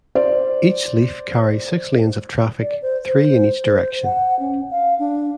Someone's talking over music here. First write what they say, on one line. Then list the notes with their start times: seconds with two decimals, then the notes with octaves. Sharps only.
Each leaf carries six lanes of traffic-three in each direction.
0.15 C5 D5
2.61 D5
2.82 C5
3.08 C5
3.65 C5
4.04 F#5
4.39 C#4
4.71 F5
4.99 D4